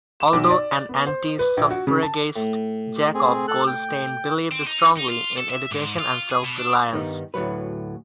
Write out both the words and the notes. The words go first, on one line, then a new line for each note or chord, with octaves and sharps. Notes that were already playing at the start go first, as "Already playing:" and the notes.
Although an anti-suffragist Jacob Goldstein believed strongly in education and self-reliance.
E7
B1
D5
B3
C5
B4
A#1
F#4
C#3
A5
A2
G4
C4 G#4
A4 F#6
G5
C4
D#4
D#4
F4
A4
E5
G#2
F4
G#4
B2
D4
G2 D#3 G3 B3 D#4
D2 A2 F3 F#3 B4